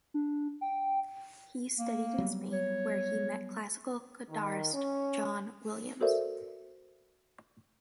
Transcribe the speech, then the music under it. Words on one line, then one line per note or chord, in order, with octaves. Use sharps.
He studied in Spain, where he met classical guitarist John Williams.
D4
G5
A#3
F#3 G3 B3
C#5
D#3
C#4
F#4 A4 A#4 C5 D5 E5